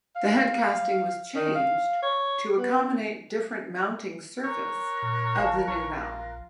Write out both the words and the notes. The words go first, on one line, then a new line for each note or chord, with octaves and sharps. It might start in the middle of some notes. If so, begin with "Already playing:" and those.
The head casting was changed to accommodate different mounting surface of the new valve.
F5
D#3
F5
C#5
B3
A#4 C#5 F#6
A#2
G#1 F5 A5
A#1 C#5
F4